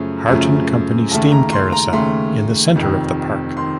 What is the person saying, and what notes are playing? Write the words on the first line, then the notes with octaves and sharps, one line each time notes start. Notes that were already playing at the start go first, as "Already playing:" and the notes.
Harton Company steam carousel in the center of the park.
Already playing: F#2 C#3 F3 A3
F#2 C#3 F3 A3
D#2 C#3 A3 A5
A#5
C6
A#5
D#2 C#3 A3 C6
F1 F2 D#3
D#3 C6